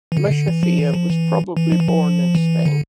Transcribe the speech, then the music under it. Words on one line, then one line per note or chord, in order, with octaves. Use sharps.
Musaphia was probably born in Spain.
E3
D3
C#3
D3
E3
F3
E3
F3
E3
E3
F3
E3
F3
E3
D3